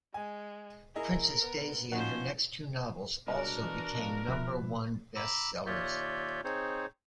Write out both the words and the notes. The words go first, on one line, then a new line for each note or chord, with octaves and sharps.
"Princess Daisy" and her next two novels also became number one bestsellers.
G#3 G#5
E4 G#4 A#4 D#5
B3
F3 C#4 D#4 F#4 C5
C#2 G2 B2 D4 F#4 A#4
B2 E3
B2 F3
B2 F3 E5 B5 F#6
A#5 B5 D6 E6
D#2 F4 C#5 D5 E5 G6
C4 D#4 G#4 C5 C#5